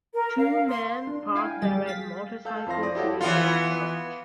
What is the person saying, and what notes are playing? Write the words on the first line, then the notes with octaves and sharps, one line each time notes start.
Two men park their red motorcycles near a church.
A#4
F5
C6
D4
E4 F5 G5 G#5
G3 G#4 G5 A6
F5 A6 B6
A4 F5 A5 E6 G6
F2 E4 C5 F5 C6 A#6
D5 D#6 A#6
E4 F#4 G4 A4 C#5 F#5
E3 B3 F4